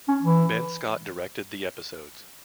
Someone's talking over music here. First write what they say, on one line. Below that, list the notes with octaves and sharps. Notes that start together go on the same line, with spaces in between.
Ben Scott directed the episodes.
C#4
E3